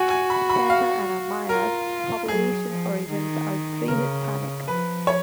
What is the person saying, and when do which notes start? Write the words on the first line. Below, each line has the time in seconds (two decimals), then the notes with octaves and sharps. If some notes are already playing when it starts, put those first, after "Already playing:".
Santa Ana Maya's population origins are pre-Hispanic.
Already playing: F#4 F#5 G#5
0.10 G#5
0.30 B5
0.50 B5
0.70 F5
1.49 F4 A#4
2.28 F#3 G#4
2.68 F3
3.09 D#3
3.88 C#3 A#4
4.67 F3 B4
5.07 C#5